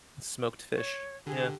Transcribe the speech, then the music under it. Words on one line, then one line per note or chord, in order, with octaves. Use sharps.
Smoked fish. Yeah.
C#5
D3 G4 G#4